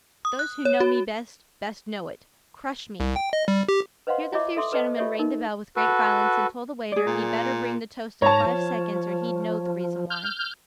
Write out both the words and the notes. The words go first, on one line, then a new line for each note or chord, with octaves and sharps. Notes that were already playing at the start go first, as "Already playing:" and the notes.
Those who know me best, best know it; crush me!' Here the fierce gentleman rang the bell with great violence, and told the waiter he'd better bring the toast in five seconds, or he'd know the reason why.
D#6
F#6
C#5
F#4
C2
G5
D#5
G3
G4
B4 C5 D#5 F5 F#5 C6
E4 F4 C#5 D#5 E5 D6
A4 E5 C6 D6 D#6
A4 B4 C5 D#5 A5
F4 G4 A4 C#5 D#5 E5
D#4 A#4
F#4 A4 B4
G#4 D5
A#2
G#2 C#5 A5 A#5
F3
F6 G6